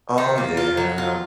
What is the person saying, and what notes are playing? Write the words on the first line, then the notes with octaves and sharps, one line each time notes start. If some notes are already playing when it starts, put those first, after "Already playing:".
Oh yeah.
D#3
A#3
F4
F#3
F4